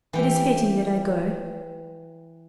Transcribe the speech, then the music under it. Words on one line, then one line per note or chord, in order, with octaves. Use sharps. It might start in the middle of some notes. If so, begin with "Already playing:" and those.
It is fitting that I go.
E3 G4